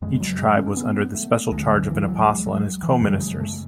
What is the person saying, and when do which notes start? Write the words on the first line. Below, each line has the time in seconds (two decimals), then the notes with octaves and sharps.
Each tribe was under the special charge of an apostle and his co-ministers.
0.02 F#2 C#3 G#3
0.20 F#3
0.39 G#3
0.57 C#4
0.77 B3
1.15 A3
1.51 D2 D3 G#3
1.70 F#3
1.90 E3
2.08 F#3
2.27 G#3
2.46 F#3
2.83 E3
3.01 F#2 C#3 F#3
3.20 G#3
3.31 G#3
3.40 A3